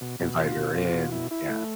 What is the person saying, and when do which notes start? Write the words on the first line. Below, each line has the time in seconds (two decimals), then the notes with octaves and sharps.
and invited her in. Yeah.
0.01 B2
0.20 B2
0.39 F4
0.56 B2
0.75 F4
0.93 B2
1.12 E4
1.31 E4
1.49 A3